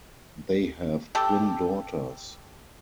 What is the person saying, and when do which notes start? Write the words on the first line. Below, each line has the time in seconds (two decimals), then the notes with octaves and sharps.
They have twin daughters.
1.15 G4 A4